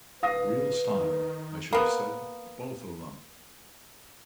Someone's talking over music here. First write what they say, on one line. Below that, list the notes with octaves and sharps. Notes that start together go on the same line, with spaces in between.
Real style, I should have said--both of them.
D1 B4 F5 D#6 A#6
D#3
A#3 B3